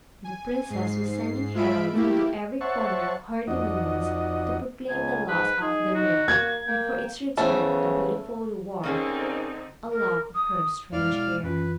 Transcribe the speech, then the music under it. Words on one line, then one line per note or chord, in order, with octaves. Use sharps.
The princess was sending heralds into every corner of her dominions to proclaim the loss of the mirror, and for its return a beautiful reward--a lock of her strange hair.
G#5
G#2 C7
G#3 F4 E5 B5 D7
A3 A#3 E4 G4
C5 C#5 E5 F#5 A5 C#6
F2 D4 D#4 F#4 D#5
C#2 G#5
G#2 B4
D#4 G#4
D#4 F#4
A#3 G#6
A#3 G5
C#3 E3 A3 B3 C5
D3 A#3 C4 C#4 D#4 G#4
A#4
D#6
F#2 F3 G#3 E4 D5 F5 F6
B2 G#3
F#2 E3 C#4 F4 B4